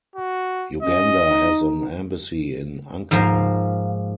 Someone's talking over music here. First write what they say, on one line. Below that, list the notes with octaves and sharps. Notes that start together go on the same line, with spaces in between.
Uganda has an embassy in Ankara.
F#4
C#4 D#5
D#4
G#2 F3 A#3 C5 F5